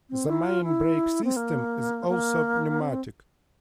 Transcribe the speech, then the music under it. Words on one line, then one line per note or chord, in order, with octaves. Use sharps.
The main brake system is also pneumatic.
C4
E4
F4
E4
C4
A#3
A#3
C4